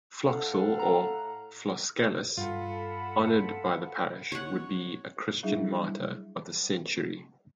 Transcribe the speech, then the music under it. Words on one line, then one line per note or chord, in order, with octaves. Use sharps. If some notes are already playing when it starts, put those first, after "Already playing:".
Floxel or Floscellus, honored by the parish, would be a Christian martyr of the century.
A2 A4 F5 F#5
A#5
G2 F4 A4 F#5 B5
C#5 F#5
F#3 G3 D4 E4 G#4 E5